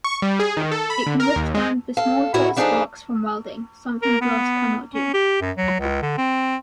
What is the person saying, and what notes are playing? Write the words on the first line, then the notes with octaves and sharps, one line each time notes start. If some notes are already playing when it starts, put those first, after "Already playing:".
It can withstand the small hot sparks from welding, something glass cannot do.
C#6
G3
G#4
D#3
A4
B5
D3
A#4
D#2
G#3
A4 F5
A2 E4 F#4 A#4 C#5
F3 D4 D#4 G#4 A4 B4
A#4
B3
C#4
G4
F#2
F#3
C#2
D3
C4